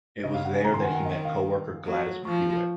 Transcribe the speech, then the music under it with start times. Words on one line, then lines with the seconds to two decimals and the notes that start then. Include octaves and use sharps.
It was there that he met co-worker Gladys Prewett.
0.24 C#3 D#5
0.34 F5
0.45 F#5
0.54 G#5
0.64 D#3 A#5
0.74 C6
0.80 G#5
0.84 F#5
0.95 F#5
1.05 D#5
1.25 F5
1.85 F#3
2.25 F3 C#6